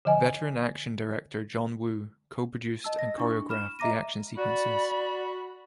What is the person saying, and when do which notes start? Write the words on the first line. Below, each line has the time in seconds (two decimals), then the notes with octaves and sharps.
Veteran action director John Woo co-produced and choreographed the action sequences.
0.05 D3 F3 D#5 G#5
2.84 D#5 A5 E6
2.97 D#5 A#6
3.18 D4 E4 C#6
3.49 B5 F6 E7
3.79 D#5 E5 A#5 D6 A#6 D#7
4.37 F#4 D5 B5